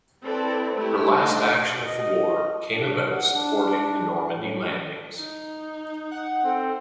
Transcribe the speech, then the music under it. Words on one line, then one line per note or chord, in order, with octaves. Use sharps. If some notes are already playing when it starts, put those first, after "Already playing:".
Her last action of the war came about supporting the Normandy Landings.
C4 E4 A4 B4 D5
A3 E4 G4
A3 D4 D#4 C5 D#5
D#5
D4
F#5
D4
A2
D#4
F#5
C4 A4